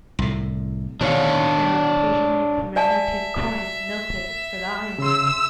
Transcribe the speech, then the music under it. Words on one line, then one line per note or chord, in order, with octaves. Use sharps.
There are occasionally commemorative coins minted for the island.
C2 A2
B2 D#3 D4 C#5 F5
D5 E5 G#5 A5
C#3 C6 E6